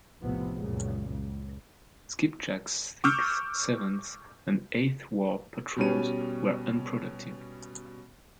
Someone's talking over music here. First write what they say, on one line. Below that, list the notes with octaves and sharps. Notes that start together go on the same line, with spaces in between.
"Skipjack"'s sixth, seventh, and eighth war patrols were unproductive.
F1 B1 A2 C3 F3 B3
C#2 F#2 A#2 C#3
C#2
C#6 D6 E6 F6 G6
B2 G3 C#4 D#7